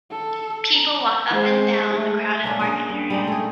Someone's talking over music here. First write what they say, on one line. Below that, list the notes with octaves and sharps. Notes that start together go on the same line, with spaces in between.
People walk up and down a crowded market area.
A4
A#5
G#3 C5
G#3 A3
A#3 C#4 D4
G#4 A#4 D#5
G2
G3 G#3 D#4
A3 G#4